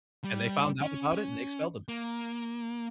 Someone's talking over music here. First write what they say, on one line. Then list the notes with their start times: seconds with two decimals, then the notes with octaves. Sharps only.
And they found out about it, and they expelled him.
0.24 G3
0.81 C#4
1.89 A#3